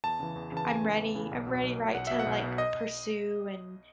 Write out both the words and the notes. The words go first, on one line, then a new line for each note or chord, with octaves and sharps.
I'm ready I'm ready, right, to, like, pursue and,
E2 A5
C#3 E3
E2
C#3 E3 A5
E2 G#5
C#3 E3
E2
C#3 E3
B1
B2
B1
B2
B1 F#5
B2 E5
F#5
B1
B2
D#5